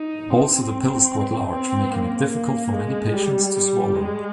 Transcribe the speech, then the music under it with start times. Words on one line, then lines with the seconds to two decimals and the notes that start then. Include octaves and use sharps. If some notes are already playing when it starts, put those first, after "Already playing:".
Also, the pill is quite large, making it difficult for many patients to swallow.
Already playing: D#4
0.30 C4
1.51 C4
1.92 A#3
2.32 A#3
2.73 G#3
3.14 G3
3.54 G3
3.94 G#3